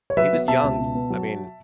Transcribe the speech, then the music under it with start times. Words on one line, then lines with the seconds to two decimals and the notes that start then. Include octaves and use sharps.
He was young, I mea
0.10 C#5
0.17 F#3 B4 E5
0.33 B3
0.48 B2 E5 A5
0.63 C#2
0.79 B2
0.95 B3
1.10 F#3